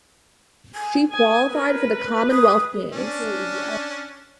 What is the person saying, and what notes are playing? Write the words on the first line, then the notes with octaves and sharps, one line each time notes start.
She qualified for the Commonwealth Games.
G#5
G#5 D#6
A#4 B4
D#6
C#4 D4